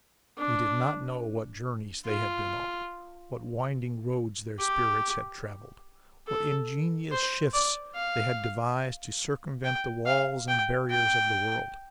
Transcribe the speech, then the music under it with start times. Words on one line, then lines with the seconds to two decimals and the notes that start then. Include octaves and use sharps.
We did not know what journeys they had been on, what winding roads their spirits had travelled, what ingenious shifts they had devised to circumvent the walls and barriers of the world.
0.37 D4
2.06 F4
4.59 G4
6.27 A4
7.11 C5
7.53 D5
7.95 F5
9.64 G5
10.06 F5
10.48 G5
10.90 G5